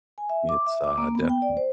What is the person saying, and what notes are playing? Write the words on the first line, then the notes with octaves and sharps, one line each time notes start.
it's, uh, definite
G#5
E5
D6
E5
D6
A#3
B3
G5
D5
C5